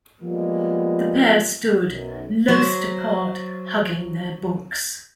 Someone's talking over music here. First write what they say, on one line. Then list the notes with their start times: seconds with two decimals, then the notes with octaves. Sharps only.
The pair stood, loth to part, hugging their books.
0.22 F3 G3 G#3 A#3 B3
1.88 B1 F#2
2.48 F#3 C5